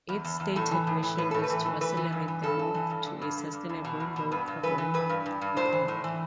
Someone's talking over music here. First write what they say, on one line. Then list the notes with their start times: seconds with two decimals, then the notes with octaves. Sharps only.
Its stated mission is to accelerate the move to a sustainable, low carbon economy.
0.09 E2
0.24 E2
0.40 E2
0.56 A2 A4
0.71 E3
0.87 A2
1.03 E3
1.18 A2 B4
1.31 A2 A4
1.43 B4
1.50 E3
1.65 E3
1.81 E3 B4
1.97 E3
2.12 G2
2.28 E3
2.44 G2 A4
2.59 E3
2.74 E3
2.90 G2
3.06 D3
3.22 G2
3.38 D3
3.53 G2
3.69 E2
3.85 B2
4.00 E2
4.16 B2
4.31 G2 B4
4.47 G2
4.63 E3 B4
4.78 E3
4.94 G2 B4
5.09 G2
5.26 G2
5.41 G2
5.57 A2 C5
5.73 E3
5.88 A2
6.04 E3